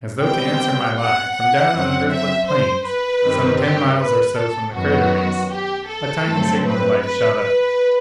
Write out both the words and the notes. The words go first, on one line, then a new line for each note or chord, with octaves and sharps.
As though to answer my lie, from down on the Earthlit plains, some ten miles or so from the crater base, a tiny signal light shot up.
B2 G3 C4 G5
F#5
F#5
F#2 F#3 C4
E5
C5
B4
G2 D#3 G3 C4
G4
B4
A4
F#2 D#3 F#3 B3 F#4
G4
A4
G2 F#3 A3 C4
B4
B4
B4